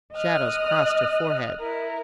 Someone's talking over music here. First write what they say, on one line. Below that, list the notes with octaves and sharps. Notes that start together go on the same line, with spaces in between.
Shadows crossed her forehead.
D#5 D#6 F6 F#6
E4 A#4